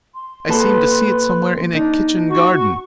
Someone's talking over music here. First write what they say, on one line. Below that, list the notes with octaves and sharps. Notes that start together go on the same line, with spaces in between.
I seem to see it somewhere in a kitchen garden.
C6
A#2 B3 A4 B4
D4 D#4
F#4 C#6